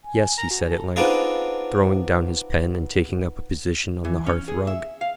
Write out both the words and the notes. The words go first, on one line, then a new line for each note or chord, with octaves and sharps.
"Yes," he said at length, throwing down his pen and taking up a position on the hearth-rug.
G#5
A#5
F#4
A4 A5
B3 C4 D4 D#4 F4 G#4
E3
C#4
G#4
E5
F5